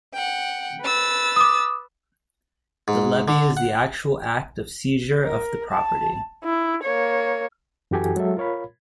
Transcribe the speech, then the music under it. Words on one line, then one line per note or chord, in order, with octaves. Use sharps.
The levy is the actual act of seizure of the property.
F#5 G5
B4 E6 A6
D6 D#6
G#2
D3
F#5
A#4
A5
E4
A#3 C#5
F#2 E3 F#4 G4 A4 G#5
F#3 G#3 A4 E5
F4 A#4 C#5 F5 B5